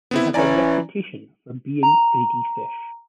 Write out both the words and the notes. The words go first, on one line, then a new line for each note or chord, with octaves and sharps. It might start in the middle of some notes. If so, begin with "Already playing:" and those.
They have a reputation for being greedy fish.
B3 C4 E4
E3 C#4 E4 D5 G#5 A#5
A#5